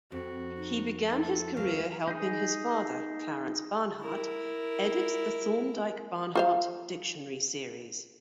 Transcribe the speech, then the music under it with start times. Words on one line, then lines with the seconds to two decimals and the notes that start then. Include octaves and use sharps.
He began his career helping his father, Clarence Barnhart, edit the "Thorndike-Barnhart" dictionary series.
0.12 F2 C4 F#4
0.57 D#4
1.09 D#4 A4
1.57 D2 F#3 A#4 F5
2.08 D#4 G#4
3.99 E4 A#4
6.35 F4 C5 F5